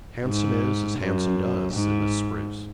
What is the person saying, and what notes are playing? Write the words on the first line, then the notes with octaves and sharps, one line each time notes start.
"Handsome is as handsome does," said Miss Spruce.
G#2
F#2
G#2